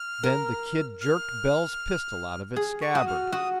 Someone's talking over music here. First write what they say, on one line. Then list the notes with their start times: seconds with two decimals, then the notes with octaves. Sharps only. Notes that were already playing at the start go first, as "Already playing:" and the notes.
Then the "Kid" jerked Bell's pistol out of its scabbard.
Already playing: F6
0.23 A#4
1.01 F6
2.56 G#4
2.81 C#6
2.95 F#4 D#6
3.07 F6
3.32 F#4 D#6